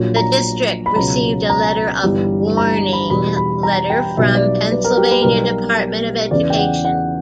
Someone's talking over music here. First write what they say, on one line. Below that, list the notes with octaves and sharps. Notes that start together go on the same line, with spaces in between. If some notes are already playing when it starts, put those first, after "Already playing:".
The district received a letter of "Warning" letter from the Pennsylvania Department of Education.
Already playing: A#1 A#2 F#3
A#5
B5
C#2 B2 F#3 A#5
A#5
G1 G2 E3 G3
A#5
B5
E2 B2 G3 B5
B5
A#5
G5
B1 B2 G3 E5
D5
B4
A#4
G4
B4
B1 B2 G3 A#4
G4
A#4
E2 C#3 E3 D5
G5
F#5
F#5